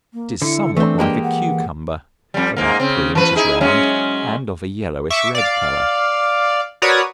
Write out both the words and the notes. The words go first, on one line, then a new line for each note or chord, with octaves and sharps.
It is somewhat like a cucumber, about three inches round, and of a yellowish red color.
A#3
D3 E4 C#7
E3 A3 C4 D4
G#3 A#3 G4
F#5
F2 G3
G#2 A#3
C#3 C4
E3 B4
D#4 E4 G#4
F#3 G#3 C#4
E5 C#6 D6
D5 F5
F#4 A#4 B4 C#5 D5 D#6